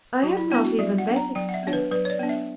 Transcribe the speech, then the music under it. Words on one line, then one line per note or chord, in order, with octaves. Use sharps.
'I have not even that excuse.
F#3 F#4
E4
B3 D4 E4
F#4
F#3 E5
F#5
B3 D4
A#5
F#3 G5
F#5
E5
B3 D4 C#5
B4
F#3 B4
C#5
D5
B3 D4
E5